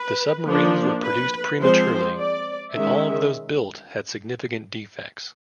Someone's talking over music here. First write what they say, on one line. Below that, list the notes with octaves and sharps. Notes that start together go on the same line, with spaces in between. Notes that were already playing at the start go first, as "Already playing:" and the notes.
The submarines were produced prematurely, and all of those built had significant defects.
Already playing: B4
F3 A#3 D4
B4
F3 G#3 C4 C5
D5
D#3 G#3 C#4 E5